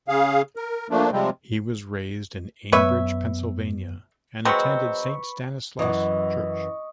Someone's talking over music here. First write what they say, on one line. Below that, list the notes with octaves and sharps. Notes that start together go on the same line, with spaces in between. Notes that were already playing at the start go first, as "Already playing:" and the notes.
He was raised in Ambridge, Pennsylvania and attended Saint Stanislaus Church.
C#3 G#4 F5
A#4
F3 A3 A#3 D4
C3 F3 G3 G#3 C4
F#2 B3 B4 C#5 E5
F#3 G#3 C4 B4 B5 C#6
F#2 E3 D#5 C#6